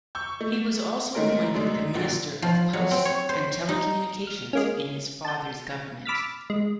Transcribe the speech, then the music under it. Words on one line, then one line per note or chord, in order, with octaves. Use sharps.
He was also appointed the Minister of Posts and Telecommunications in his father's government.
C#6 E6 G6
A3
D#3 G#3 A3 C#4 A#4
F#2 G#3 A3 D4 D#4
A#1 A#2 D3 F3
F3
F#3
C4
C#5
C5
D#4
F6
G#3 A#3 C#4
A5 G6
B5 D6 E6 F6 A6 B6
G#3